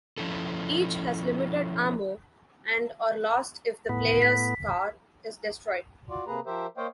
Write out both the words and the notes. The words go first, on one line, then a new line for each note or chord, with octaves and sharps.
Each has limited ammo and are lost if the player's car is destroyed.
F3 C#4 E4 A4
A2 B3
B6
F4 F#4 D5
C3 A#3 G#4 B4 A#5
F3 G4 A#4 C5 E5
A#3 C5 C#5 D#5 F5 G5